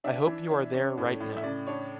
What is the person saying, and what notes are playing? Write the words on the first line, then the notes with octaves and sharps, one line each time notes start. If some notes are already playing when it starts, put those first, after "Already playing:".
I hope you are there right now.
D4 E5
E3
D4
C#4
A2
A2
E5
C#3 D5
D4 C#5